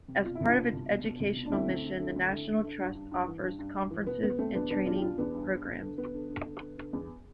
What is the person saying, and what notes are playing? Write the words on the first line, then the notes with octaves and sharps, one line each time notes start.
As part of its educational mission, the National Trust offers conferences and training programs.
C3
B2 F4
E4
C2
D4 F4
B2
C2
B2
B2
C2
B2
D4
D2 C4 E4
D2
D3
D3
D2
D3
D3
D3
G2
G2
G2
E3
G2
G2
G2
E3
B2 B3
E2 B3
B2 A3 C4
E2 B3 D4
B2 B3 D4
E2 D4 F4
G4
B2 D4 F4
E2 B3 D4
G2
G2
D3
D3
D3 B3
D3
D3
D3
D3
D3
E2